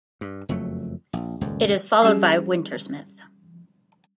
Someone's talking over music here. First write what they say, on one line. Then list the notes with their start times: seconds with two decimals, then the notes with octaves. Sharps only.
It is followed by "Wintersmith".
0.21 G2
0.49 F#1 F2 F#3 A3
1.13 A#1
1.41 D#1 C#2 F#2
2.02 G3 C#4 G4 G#4